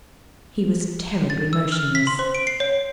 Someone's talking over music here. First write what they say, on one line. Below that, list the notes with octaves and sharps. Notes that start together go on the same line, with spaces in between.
He was terribly motionless.
A6
E6
F6
B6
C6
C5
D7
C7
C#5